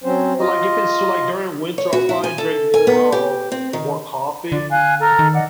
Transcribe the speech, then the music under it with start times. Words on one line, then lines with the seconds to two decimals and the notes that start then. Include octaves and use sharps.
but, like, if it's still, like, during winter, I'll probably drink more, um, more coffee
0.04 F#3 C4 C#4 C5
0.40 F4 D#5
1.78 C#5
1.93 F#4
2.09 E4
2.24 G#5
2.38 A4
2.74 G#5
2.87 B3
3.12 G4
3.52 C4
3.73 D#3
4.52 D3 D5
4.71 F5 G#5 F#6
5.00 A4 A#5 F6
5.19 D#3
5.33 D5 D#5 F#5